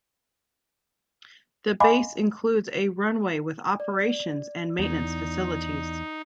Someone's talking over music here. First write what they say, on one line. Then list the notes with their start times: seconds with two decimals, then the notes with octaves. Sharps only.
The base includes a runway with operations and maintenance facilities.
1.80 D#5 F5 G#5 B5 C6 D6
3.80 D5
4.79 E2 D#4